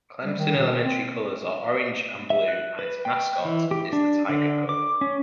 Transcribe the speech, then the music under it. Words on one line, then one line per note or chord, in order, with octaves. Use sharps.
Clemson Elementary colors are orange and blue, and its mascot is the tiger cub.
G3
D#3
B2
C4
E5
F#6
B4
G5
E3
G4
D4
D3
D6
C#4